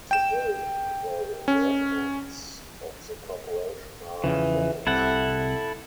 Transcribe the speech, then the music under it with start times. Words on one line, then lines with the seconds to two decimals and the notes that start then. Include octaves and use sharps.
Today the remnants of the corporation are Denny's.
0.11 G5 E7
1.48 C#4
4.24 E2 C#3 E3 F3
4.87 C2 C3 E4 A4 F#5